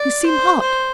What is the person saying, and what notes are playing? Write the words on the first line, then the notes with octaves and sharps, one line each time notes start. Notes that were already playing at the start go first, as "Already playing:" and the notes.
"You seem hot."
Already playing: D5
C5
C5